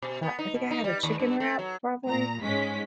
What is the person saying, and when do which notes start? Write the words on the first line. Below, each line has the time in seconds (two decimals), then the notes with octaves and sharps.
I think I had a chicken wrap, probably?
0.02 B2
0.23 B3
0.39 D#4
0.54 B2
0.71 D#4
0.84 G3
1.03 D#2
1.20 G2
1.40 A3
1.59 F#3
2.08 A#2 A#5
2.43 G#2 G#3 C#4 B6